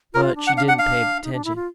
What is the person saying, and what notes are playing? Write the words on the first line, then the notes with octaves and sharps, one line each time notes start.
But she didn't pay attention.
F4 A#4
D4
F#5
F5
F#5
F5
D#4
D4
E4
F4